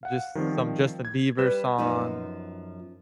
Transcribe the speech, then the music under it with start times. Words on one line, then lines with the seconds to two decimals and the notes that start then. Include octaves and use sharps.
just some Justin Bieber song,
0.03 F5 F#5
0.35 D#3 F3 G3 C4
1.05 G#6
1.38 G3 B4 E7
1.78 F#2 F3 B3 D#4